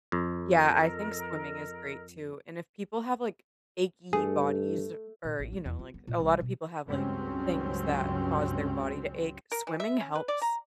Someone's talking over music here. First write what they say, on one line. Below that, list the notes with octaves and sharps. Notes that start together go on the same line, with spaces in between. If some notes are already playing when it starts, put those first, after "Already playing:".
Yeah, I think swimming is great too, and if people have, like, achy bodies or or, you know, like, a lot of people have, like, things that cause their body to ache swimming helps
F2
A4 A#4 D#5
G2 A3 G#4
A#2
A1
C#2
E2
F4
B3
A#2
C2
B2
C#2 G2 F#3 G#3 C4 C#4
A#4
E3
E5
C#4
B4
D5
A#5